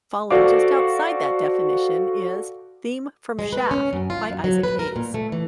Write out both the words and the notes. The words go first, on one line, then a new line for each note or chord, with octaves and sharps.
Falling just outside that definition is "Theme From Shaft" by Isaac Hayes.
F#4 A4 C5 D5 F5 D6
G#3
B4
C#4
F#2
F4
F#2
F#3
B4
A#4
A#2
A3
E3